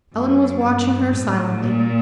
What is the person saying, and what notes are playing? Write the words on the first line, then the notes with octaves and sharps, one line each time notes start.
Ellen was watching her silently.
F#2
G2
A2
A#2